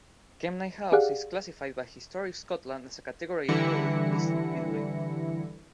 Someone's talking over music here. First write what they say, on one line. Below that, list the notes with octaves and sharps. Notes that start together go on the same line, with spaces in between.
Kemnay House is classified by Historic Scotland as a category A listed building.
G4 G#4 D5 F5 F#5
D3 E3 G3 E4 A#6 C#7